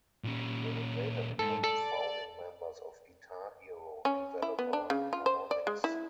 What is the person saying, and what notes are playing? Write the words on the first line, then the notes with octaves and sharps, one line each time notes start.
They would later become founding members of "Guitar Hero" developer Harmonix.
A#2 C#4
G#2 A4
A4 D5
C#4
E4
B3
D4
C#3
F4
C5
D5
G#3
E4